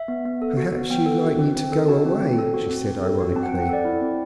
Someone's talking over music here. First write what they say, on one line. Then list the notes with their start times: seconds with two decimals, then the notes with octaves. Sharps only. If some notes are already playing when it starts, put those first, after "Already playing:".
"Perhaps you'd like me to go away," she said ironically.
Already playing: E5
0.08 B3
0.25 B3
0.42 A4
0.57 F#4
0.73 B3
0.90 B3 G5
1.06 A4
1.23 F#4
1.39 C4
1.56 C4
1.72 A4
1.88 F#4 A5
2.05 C4
2.22 C4
2.38 A4
2.54 F#4
2.70 C4
2.86 C4
3.03 A4
3.20 F#4
3.36 C4 A5
3.43 F#5
3.49 C4 G5
3.60 F#5
3.69 A4 D5
3.85 E4
4.01 C4